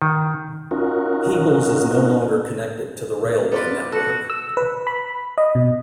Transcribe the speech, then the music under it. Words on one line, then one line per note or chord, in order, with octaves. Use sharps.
Peebles is no longer connected to the railway network.
D#3
C#4 D#4 F4 F#4 A#4
B3 F4 B4 D5
F#4 A4
E6
B4
B5
D#5
B2